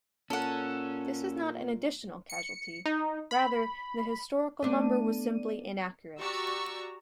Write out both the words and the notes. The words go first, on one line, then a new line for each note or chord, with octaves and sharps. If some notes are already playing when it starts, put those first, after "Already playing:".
This is not an additional casualty; rather the historical number was simply inaccurate.
A#2 C#4 A4 F#5
C#7
D#4
B5
A3 B3 D4 D5 D#7
F#4 G4 D5 A#5 C#6 E6